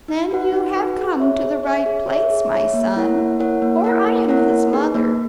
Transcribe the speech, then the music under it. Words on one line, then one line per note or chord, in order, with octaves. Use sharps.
'Then you have come to the right place, my son, for I am his mother.
D#4
F#4 B4 F#5
D#4
F#4 B4 F#5
G#4
C#5 E5
G#4
C#5 E5
G#4
C#5 E5
G#4
C#5 E5
A#3
E4 A#4 C#5 F#5
A#3
E4 A#4 C#5 F#5
A#3
E4 A#4 C#5 F#5
A#3
E4 A#4 C#5 F#5
A#3
D#4 G#4 B4
A#3